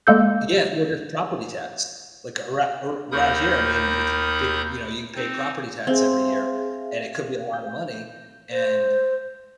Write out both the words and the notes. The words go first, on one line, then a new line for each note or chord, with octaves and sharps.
Yeah, well, just property tax, like, aroun around here, I mean, it's big, you know, you pay property tax every year, and it could be a lotta money, and
G#3 A#3 A4 G6
D#2 D#4 A#4 B5 D#6 G6
C4 D#4
C4 G#4 E5 F5
G6
C5